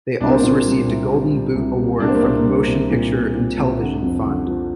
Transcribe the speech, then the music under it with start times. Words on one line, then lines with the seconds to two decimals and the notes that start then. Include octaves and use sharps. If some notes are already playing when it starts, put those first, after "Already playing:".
They also received a Golden Boot Award from the Motion Picture and Television Fund.
0.21 C2 D4
0.29 C4
0.37 A#3
0.43 A#2 C4
0.65 G3
0.88 C2
1.11 G3
1.33 G3
1.55 C2
1.77 G3
2.00 C2 D4
2.08 C4
2.15 A#3
2.23 C2 C4
2.45 G3
2.67 C2
2.90 A#2
3.12 A#2
3.34 A#2
3.58 C2
3.80 D3
4.02 F2
4.24 D3
4.47 F3